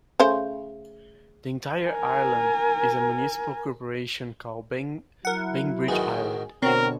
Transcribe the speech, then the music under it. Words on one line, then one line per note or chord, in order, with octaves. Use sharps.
The entire Island is a municipal corporation called Bainbridge Island.
C#3 A3 C5
A#4 G#5
F#3 E4 F#4 A#4 F#5
G#2 B2 D#3 G#4
B2 D3 C4 F#4 A#4 C#5